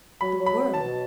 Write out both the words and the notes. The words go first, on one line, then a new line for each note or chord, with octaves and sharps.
The world!
F#3 B5
F#3
B5
F#3
A5
B2